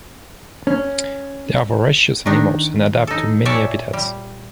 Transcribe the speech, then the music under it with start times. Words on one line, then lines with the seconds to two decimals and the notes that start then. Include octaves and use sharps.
They are voracious animals and adapt to many habitats.
0.67 C#4
2.26 D#3 D4 D#4
3.07 D#4 A4
3.45 A#2 C#5 D5 E5 A5
3.93 G3